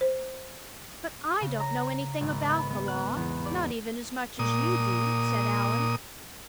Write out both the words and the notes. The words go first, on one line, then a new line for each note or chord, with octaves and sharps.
"But I don't know anything about the law, not even as much as you do," said Allan.
C5
C#3
A#5
G#1
B3
B3
F#6
E2
D5
A#2 D#6